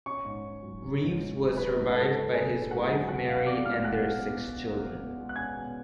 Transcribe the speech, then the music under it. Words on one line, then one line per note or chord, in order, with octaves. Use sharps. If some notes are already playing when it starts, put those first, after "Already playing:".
Reeves was survived by his wife Mary and their six children.
C#4 C#5 C#6
G#2
G#2
F#3
C#4
G#2
G#2
F#3
C#4 B4 B5
G#2
G#2 A4 A5
F#3
C#4 G#4 G#5
G#2
G#2 F#4 F#5
F#3
C#4 F#4 F#5
B2 F5
B2 D5 D6
G#3 F5 F6
C#4 F#5 F#6
B2
B2
G#3
C#4
B2
B2
G#3
F#6
C#4 G#5 G#6
B2